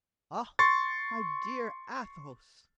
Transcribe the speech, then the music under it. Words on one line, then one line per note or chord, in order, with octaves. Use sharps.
"Ah! my dear Athos!"
C6 C#6 A6